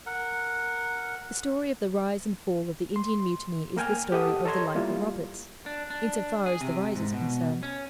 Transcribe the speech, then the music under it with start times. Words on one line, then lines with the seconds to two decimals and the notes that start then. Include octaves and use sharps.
The story of the rise and fall of the Indian Mutiny is the story of the life of Roberts--in so far as the rise is concerned.
0.06 A#4 F#5
2.96 C6
3.77 A#3 A#4 G5 G#5 F6
4.12 G4 A4 D#5 F#5 A5 D#6
4.45 A4 C#5 A#5 C6 G#6
4.75 G3 A#3 E4 F4
5.66 D4
5.90 D4
6.46 G#4
6.61 C3
6.95 G#2
7.13 B2
7.63 C#4